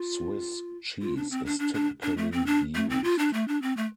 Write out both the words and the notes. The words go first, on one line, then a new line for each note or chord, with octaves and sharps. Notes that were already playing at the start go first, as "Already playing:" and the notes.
Swiss cheese is typically used.
Already playing: F4
F4
D4
C4
D4
D4
D4
D4
A3
C4
D4
A3
C4
F4
D4
A3
D4
C4
A3